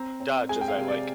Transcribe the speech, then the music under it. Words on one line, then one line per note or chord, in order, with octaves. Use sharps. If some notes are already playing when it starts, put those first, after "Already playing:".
Dodge as I like.
Already playing: C4 A#5
C4
G#3 G#5
G5
F5
C3
D5